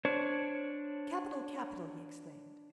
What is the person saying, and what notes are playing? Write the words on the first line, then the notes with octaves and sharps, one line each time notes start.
"Capital! capital!" he exclaimed.
D4 C5 C#5